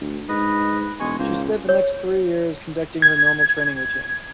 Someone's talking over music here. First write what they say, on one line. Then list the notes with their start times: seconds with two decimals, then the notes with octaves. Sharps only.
She spent the next three years conducting her normal training routine.
0.01 D2
0.29 G#2 B4 D#5
0.81 B4
1.00 E1 G#3 G#5 C#6
1.19 C#2 A#3 C5
1.69 C#5
3.02 G#6